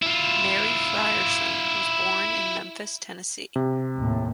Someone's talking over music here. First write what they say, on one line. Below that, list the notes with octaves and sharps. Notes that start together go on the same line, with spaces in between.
Mary Frierson was born in Memphis, Tennessee.
E4 F4
C3
D#2 A2